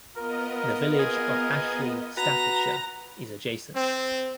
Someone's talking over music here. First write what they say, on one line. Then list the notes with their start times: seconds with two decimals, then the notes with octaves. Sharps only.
The village of Ashley, Staffordshire is adjacent.
0.15 B3 F4 A#4 D#5
0.99 G#4 D#6
2.17 F#4 B4 A#5
3.76 C4